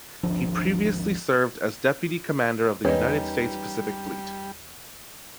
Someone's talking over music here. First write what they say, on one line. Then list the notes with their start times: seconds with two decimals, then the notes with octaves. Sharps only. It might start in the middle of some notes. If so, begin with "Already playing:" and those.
He previously served as deputy commander of the United States Pacific Fleet.
0.23 G#1 D2 F3 D4
2.85 E2 G3 C#4 D#4 A#4 B4 C#5